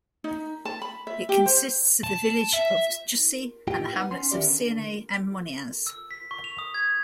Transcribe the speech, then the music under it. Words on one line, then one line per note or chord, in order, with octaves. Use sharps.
It consists of the village of Jussy and the hamlets of Sionnet and Monniaz.
D#4
A5
B5
E5
G4
C5
A5
E5
A2 F4 G4 G5
B3 D#4 F#5
C#4 C6
D#3 B3 C#4 E4 G4 D5
D3
E6
B6
C#6
F7
D#6
G#6